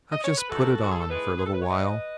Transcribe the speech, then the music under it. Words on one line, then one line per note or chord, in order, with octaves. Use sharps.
I've just put it on for a little while.
D#5
C#5
B4
E3 B3 D#4 F#4 A4
F#4
G#4
A4
A2 G#3 D#4 G#4 B4
G#4
A4
B4
C#5
F#3 B3 D#4 B4 D#5